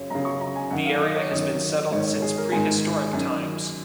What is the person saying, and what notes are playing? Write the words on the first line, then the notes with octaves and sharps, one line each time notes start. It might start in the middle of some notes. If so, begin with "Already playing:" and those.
The area has been settled since prehistoric times.
Already playing: F#2 C#3 C#5
F#2 C#3 A#5
C#6
A#5
G#5
F#2 D#3 F#5
F5
D#5
C#5
F#2 D#3 D#5
G#2 D#3 C#5
G#4
A#4
G#2 D#3 G#5
F#2 D#3